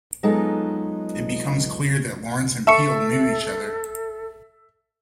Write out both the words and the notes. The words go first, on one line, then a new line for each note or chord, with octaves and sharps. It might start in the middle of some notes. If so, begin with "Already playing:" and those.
It becomes clear that Lawrence and Peale knew each other.
F#3 G#3 B3 D#4 F4 A4
A4 E5 A5 C#6 C#7